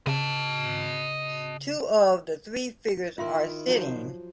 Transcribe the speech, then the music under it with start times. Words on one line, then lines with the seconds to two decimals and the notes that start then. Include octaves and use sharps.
Two of the three figures are sitting.
0.07 C#3 D#5 A5
3.18 D#3 E4 F4 E5 C6
3.67 F3 F#3 C5